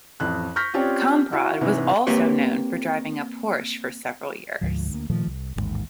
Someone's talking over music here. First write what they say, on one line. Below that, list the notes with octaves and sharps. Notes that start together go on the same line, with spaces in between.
Kamprad was also known for driving a Porsche for several years.
A1 F2 F#6
C#6 F6 G6 A#6 B6
C4 C#4 F4 G4 C#5 D5
E4 F#4
G#2 C3 E3 B3 C#4
A#3 C4 G4 A#4 B4 C#5
D2 G#2 F3
D2 A#3
A#2 D#3 F3 A3
C2
A1 D#2 G#2